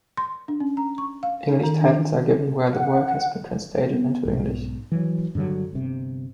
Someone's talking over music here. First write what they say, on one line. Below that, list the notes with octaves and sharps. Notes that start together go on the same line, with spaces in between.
English titles are given where the work has been translated into English.
C6
D4
C#4
A#5
C#6
F5
D#4
D#3
D4
F#5
B3
B1 G#2
E3 F#3
G2 D3 F#3
G1 C3